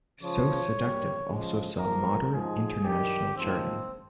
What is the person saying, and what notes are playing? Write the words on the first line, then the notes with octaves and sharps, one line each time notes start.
"So Seductive" also saw moderate international charting.
C#3 F3 G#3 C#5
G2 G3 A#3
C#3 F3 G#3
G#2 F3 A#3 A#4
G#2 F3 G#3 G#4
G2 D#3 G3 G4
G#2 F3 A#3 C4